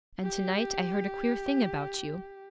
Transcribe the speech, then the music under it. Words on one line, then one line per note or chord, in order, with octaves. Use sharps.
'And to-night I heard a queer thing about you.'
G4